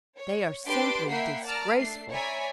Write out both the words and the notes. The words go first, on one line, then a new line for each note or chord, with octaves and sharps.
They are simply disgraceful.'
C#5
D4 G4 B4 C6 D6 D7
A#3 E5 F#5 G5 B5 C7
D5 A5 A#5 F6
A3 D4 C7
C#5 D5 E5 G#5 A#5 B5